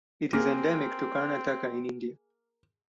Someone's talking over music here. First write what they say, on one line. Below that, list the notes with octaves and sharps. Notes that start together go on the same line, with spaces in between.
It is endemic to Karnataka in India.
A#3 C4 G#4